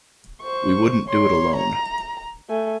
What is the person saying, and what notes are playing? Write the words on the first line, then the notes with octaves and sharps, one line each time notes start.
We wouldn't do it alone.
C5 C#6
C#5 C6
A#5
A3 G#5